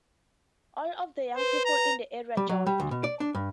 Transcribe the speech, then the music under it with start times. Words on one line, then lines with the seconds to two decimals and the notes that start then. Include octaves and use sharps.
All of the young people in the area joined.
1.36 B4 C5
1.66 A#5
2.37 G3
2.49 F#3
2.67 G3
2.80 D2
2.91 B2
3.04 D5
3.20 D4
3.35 G2